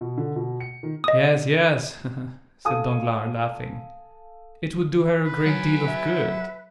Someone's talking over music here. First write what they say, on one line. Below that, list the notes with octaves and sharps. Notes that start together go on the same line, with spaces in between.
"Yes, yes," said Danglars, laughing, "it would do her a great deal of good."
B2
D3
B2
C#7
D#3
D#5 D#6
A4 F5 G#5 D#6
B4
F#3 F#5 G#5
E5